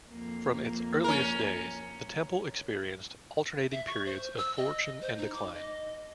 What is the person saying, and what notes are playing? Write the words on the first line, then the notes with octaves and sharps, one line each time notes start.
From its earliest days, the temple experienced alternating periods of fortune and decline.
F2 A#3
C#4 A#4
E5
C#6
C5
E6
D#5
C5
D#4
D6
D#5